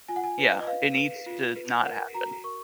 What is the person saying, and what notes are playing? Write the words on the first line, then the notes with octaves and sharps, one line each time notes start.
yeah, it needs to not happen.
F4 G#5
F#5
G#5
B4
D#5
B4 F5
B4
F4
B4
A#4 F#5
F#4 A#5
A#4 C#6